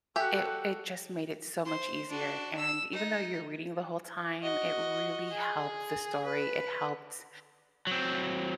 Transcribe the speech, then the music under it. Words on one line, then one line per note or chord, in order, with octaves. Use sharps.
it it just made it so much easier, and even though you're reading the whole time, it really helped the story. It helped
F#4 G4 A4 E5 G5 G#5 F#6
C5 C6
D4 F#4
E6
D#4
F#4 D#5
G#4
B4
F#3 C4